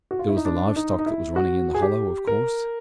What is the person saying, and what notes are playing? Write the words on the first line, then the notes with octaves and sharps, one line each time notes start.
There was the live stock that was running in the Hollow, of course.
F#4
F4
E4
D#4
D4
D#4
D#4
E4
F#4
G#4
G4
A#4